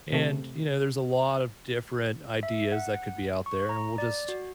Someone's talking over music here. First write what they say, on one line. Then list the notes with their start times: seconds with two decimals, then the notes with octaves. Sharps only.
and, you know, there's a lot of different ideas that could be out there, and we'll just
0.13 C3 A3
2.43 E5
2.72 F#5
3.46 C#6
3.69 A#5
3.98 D5
4.28 F#4